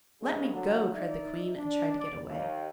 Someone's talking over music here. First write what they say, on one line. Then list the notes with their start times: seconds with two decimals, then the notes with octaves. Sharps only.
"Let me go!" cried the Queen, and tried to get away.
0.22 C2 G2 A#2 C#3 G3 G#3
0.53 D3 F#3
0.94 D#4 D5 E5
1.56 D4 D5
1.99 D5
2.28 D#2